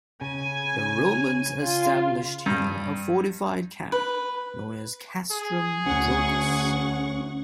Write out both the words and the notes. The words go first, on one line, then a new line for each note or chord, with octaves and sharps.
The Romans established here a fortified camp known as Castrum Drocas.
C#3 G#5
F4
G2
B4
G#4
D2 C#4 F#5 C#6